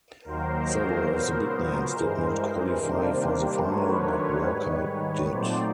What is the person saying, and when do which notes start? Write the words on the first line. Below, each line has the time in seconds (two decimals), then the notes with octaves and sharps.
Several of the big names did not qualify for the final, but Walker did.
0.24 D#2 D#3 F#3 A#3 A#4 C5
1.09 A#2 F#3 B3
1.93 G2 E3 G#3
2.78 C3 D#3 G3 A#3 D4
3.62 D#3 F#3 A3 D4 B4 C#5
4.47 G#2 D#3 G3
5.30 A#2 F#3 A3 C4 D#4 C5 D5